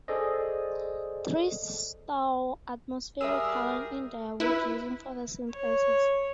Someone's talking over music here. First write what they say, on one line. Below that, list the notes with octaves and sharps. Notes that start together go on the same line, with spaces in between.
Trees store atmospheric carbon in their wood using photosynthesis.
G#4 A4 C5 D5 D#5
G3 G#4 A#4 E5 D#6 E6
E4 B4
C#5